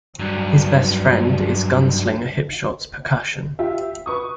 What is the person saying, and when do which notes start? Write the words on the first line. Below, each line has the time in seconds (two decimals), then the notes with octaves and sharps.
His best friend is gunslinger Hipshot Percussion.
0.19 G2 F#3
3.59 F4 G4 E5
4.06 B4 C#6 D#6